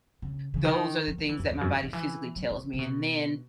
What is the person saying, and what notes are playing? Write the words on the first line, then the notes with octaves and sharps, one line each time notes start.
those are the things that my body physically tells me and then,
C#3
C#3
D#3
E3
F#3
E3
F#2
E2
F#2
D#3
D#3
E3
F#3
E3
C#3
B2